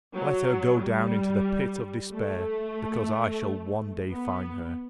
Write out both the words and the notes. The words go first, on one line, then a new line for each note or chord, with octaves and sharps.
"Let her go down into the pit of despair, because I shall one day find her."
F#3
G3
A3
B3